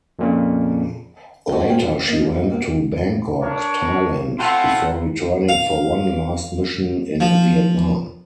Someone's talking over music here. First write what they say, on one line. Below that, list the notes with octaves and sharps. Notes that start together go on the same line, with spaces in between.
Later she went to Bangkok, Thailand before returning for one last mission in Vietnam.
F2 A#2 C#3
C#4 D#4 F#4 A4 C5 D5
F3 G#3 A#3 G#4 G5
F#2 G3
A#3 D#5
D#4
C3 A#3 B3
D4 A#4 C#5
A3 C4 E4 F4 F#5 C6
F5
F3